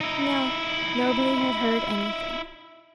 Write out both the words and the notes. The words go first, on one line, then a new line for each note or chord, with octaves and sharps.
No, nobody had heard anything.
D#4 E4